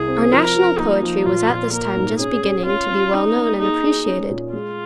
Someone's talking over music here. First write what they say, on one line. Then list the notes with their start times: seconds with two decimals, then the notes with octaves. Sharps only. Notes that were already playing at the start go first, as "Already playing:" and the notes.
Our national poetry was at this time just beginning to be well known and appreciated.
Already playing: C2 G#4
0.08 C4
0.32 F3 A#4
0.56 F3
0.79 A#3 D#4
1.02 F3
1.26 A#2 F4
1.49 A#2
1.72 A#3 A#4
1.96 G#2
2.19 C#4 G#4
2.43 C#4
2.66 C#4 F4
2.90 C#4
3.13 C#4 D#4
3.36 A#3
3.60 D#4 G#4
3.83 G#4
4.07 C#4
4.30 A#2
4.53 G#3 F4